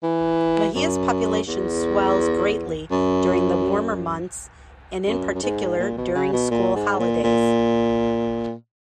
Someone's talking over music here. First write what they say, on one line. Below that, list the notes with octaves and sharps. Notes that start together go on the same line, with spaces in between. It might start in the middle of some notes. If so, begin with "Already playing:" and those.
Mahia's population swells greatly during the warmer months and in particular during school holidays.
E3
F#2
E2
F#2
F#2
F#2
G#2
A#2
B2
C#3
B2
A#2
G#2
A#2
A#2